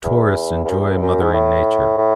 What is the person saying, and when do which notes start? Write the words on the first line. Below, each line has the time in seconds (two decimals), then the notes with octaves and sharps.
Tourists enjoying mother nature.
0.04 E2
0.64 E2
0.69 F#2
0.79 E2
0.90 F#2
0.97 E2
1.01 F#2
1.22 G#2
1.34 A2
1.97 A2